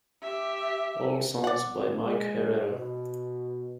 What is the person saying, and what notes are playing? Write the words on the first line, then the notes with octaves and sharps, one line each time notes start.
All songs by Mike Herrera.
G4 E5
D5 F#5
G#3
B2